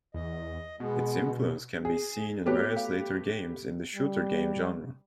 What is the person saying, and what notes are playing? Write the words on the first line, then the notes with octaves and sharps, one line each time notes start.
Its influence can be seen in various later games in the shooter game genre.
E2 D#5
B2 G#3 B3
G#4
A3 B3 F#4 G4 B4 C#5
F5
G3